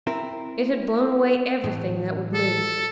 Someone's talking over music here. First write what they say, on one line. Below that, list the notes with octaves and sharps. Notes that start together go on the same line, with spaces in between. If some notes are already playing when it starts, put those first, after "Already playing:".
It had blown away everything that would move.
C4 E4 A#4
A2 E3
A4